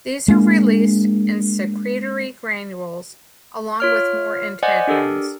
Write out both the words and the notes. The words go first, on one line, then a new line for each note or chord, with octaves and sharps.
These are released in secretory granules, along with more integrins.
G#3 A#3 D4
F4 C#5 F6
C5 D5 D#5 F#5 G#5
D4 G4 A4 A#4